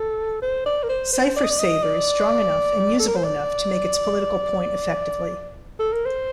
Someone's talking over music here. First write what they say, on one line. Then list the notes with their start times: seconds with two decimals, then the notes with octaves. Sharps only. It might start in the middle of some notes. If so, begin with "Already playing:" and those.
CipherSaber is strong enough and usable enough to make its political point effectively.
Already playing: A4
0.42 C5
0.66 D5
0.83 A#4
0.89 C5
1.13 C5
1.36 D5
1.43 D#5
1.50 D5
1.59 D#5
1.83 D5
3.00 A4
3.07 A#4
3.16 C5
3.24 D5
5.79 A4
5.93 A#4
6.05 C5